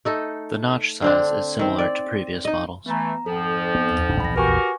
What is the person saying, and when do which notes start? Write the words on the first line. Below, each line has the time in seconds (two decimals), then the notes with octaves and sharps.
The notch size is similar to previous models.
0.05 A3 D#4 A4
1.02 D3 C4 D4
1.59 D#3 C4
1.79 D5
2.45 D#4 D#5
2.86 E3 A3 B3 A#5
3.26 F2 G#2 F3 A4
3.75 B3
4.09 D1 D4
4.20 A#1 E2 B5 A#6
4.36 F#4 G4 A#4 B4 G#5 C#6